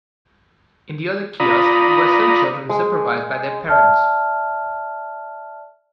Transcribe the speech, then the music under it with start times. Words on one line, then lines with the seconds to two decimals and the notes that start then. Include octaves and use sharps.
In the other kiosk were some children supervised by their parents.
1.40 F4 D5 A#5 B5 D#6
2.69 G#3
3.69 D5 E5 A5 F6